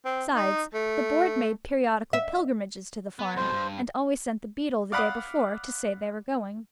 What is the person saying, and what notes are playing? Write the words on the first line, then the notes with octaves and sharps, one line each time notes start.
Besides, the board made periodical pilgrimages to the farm, and always sent the beadle the day before, to say they were going.
C4
D#4
A3
E5
B3
F2 B2 C5
G2
D5 F5 F#5 B5 D6 D#6